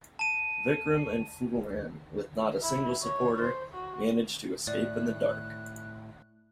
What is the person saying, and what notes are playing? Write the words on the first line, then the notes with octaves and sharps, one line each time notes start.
Vikram and Phoolan, with not a single supporter, managed to escape in the dark.
A5 D#7
E4
C#5
C5
F#4
A2 D5 F#6